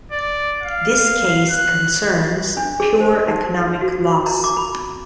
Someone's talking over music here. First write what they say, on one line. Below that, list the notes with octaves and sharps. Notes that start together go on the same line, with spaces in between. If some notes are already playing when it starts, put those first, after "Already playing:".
This case concerns pure economic loss.
D5
F5
F#6
D4
G#4
C5
D#4
F#4
A#5
D6
B5